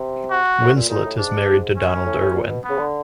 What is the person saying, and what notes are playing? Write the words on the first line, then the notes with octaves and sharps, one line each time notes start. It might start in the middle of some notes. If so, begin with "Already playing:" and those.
Winslett is married to Donald Irwin.
Already playing: C3
F#4
A2
A#2
A#2 D#4
A2
G#2 D4
C#4
A2
A2
A#2
B2
B3
C#3
D3